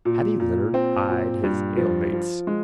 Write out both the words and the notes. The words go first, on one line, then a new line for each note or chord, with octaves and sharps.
Paddy Leonard eyed his alemates.
A#2
A#2
C4
A#2
G2
F3
F3
G#3